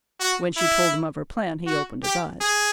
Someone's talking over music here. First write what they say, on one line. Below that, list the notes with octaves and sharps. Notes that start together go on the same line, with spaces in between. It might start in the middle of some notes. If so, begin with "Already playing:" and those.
When she told him of her plan he opened his eyes.
F#4
E4
F#4
G4
G#4